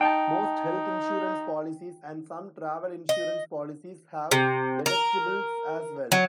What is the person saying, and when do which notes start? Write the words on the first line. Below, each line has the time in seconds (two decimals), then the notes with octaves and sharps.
Most health insurance policies and some travel insurance policies have deductibles as well.
0.01 D#4 G5 A5
3.09 D#5
4.31 C3
4.86 A#4
6.12 F#3